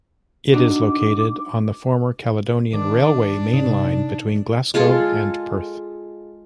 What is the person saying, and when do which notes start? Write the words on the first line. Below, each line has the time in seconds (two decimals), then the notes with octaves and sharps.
It is located on the former Caledonian Railway main line between Glasgow and Perth.
0.53 D4 D#4 F#4 D6
2.73 D#3 D4 D6
3.54 G#2 C3 D#4 D5
4.74 G#3 F4 G#4 A4